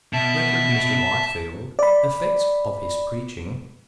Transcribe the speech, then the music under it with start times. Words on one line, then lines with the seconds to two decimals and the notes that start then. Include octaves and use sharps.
Rev. Mr. Whitefield. Effects of his Preaching.
0.13 B2 E5 A5
1.79 D5 B5